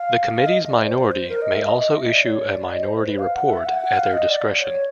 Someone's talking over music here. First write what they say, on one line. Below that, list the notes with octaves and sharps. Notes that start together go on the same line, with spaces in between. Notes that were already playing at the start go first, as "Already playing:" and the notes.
The committee's minority may also issue a Minority Report at their discretion.
Already playing: F5
F5
D#5
D5
C5
A#4
D#5
E5
D#5
D#5
E5
D#5
D5
C#5
D5
D#5
C5
C5
B4
F5
F#5
E5
F#5
F#5
F5
D#5
D5
C#5